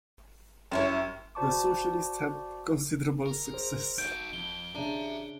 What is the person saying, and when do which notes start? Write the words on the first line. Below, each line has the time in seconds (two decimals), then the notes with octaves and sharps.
The Socialists had considerable success.
0.71 F#2 G3 E4 C#5
1.35 F#4 C5 D5 A5 C#6 D6
3.26 A#4
3.50 G#4 C5
3.98 D#4 F#4 G6 D7
4.33 F2 G7
4.75 C#3 D4 E5 A#5